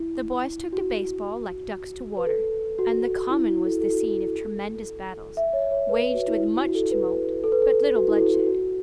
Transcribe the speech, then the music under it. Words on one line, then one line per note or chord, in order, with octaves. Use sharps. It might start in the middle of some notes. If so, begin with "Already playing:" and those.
The boys took to base-ball like ducks to water, and the common was the scene of tremendous battles, waged with much tumult, but little bloodshed.
Already playing: E4
F#4
B4
A4
F#4
E4
F#4
A4
A4
F#4
A4
E5
C#5
C#5
B4
B4
F#4
E4
E4
F#4
F#4
A4
B4
A4
B4
A4
A4
F#4
E4
A4
F#4
F#4
F#4